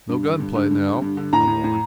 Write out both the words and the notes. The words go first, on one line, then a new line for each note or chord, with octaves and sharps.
"No gun play now," I warned.
G2
D3
G2
D3
G2
D3
G2
D3
A2 A#5
A2
A2